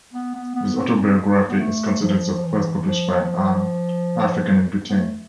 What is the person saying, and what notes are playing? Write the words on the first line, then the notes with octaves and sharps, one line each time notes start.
His autobiography is considered the first published by an African in Britain.
B3
B3
B3
C4
B3
A3
F3
F3
E3
E3
F3
B3
A3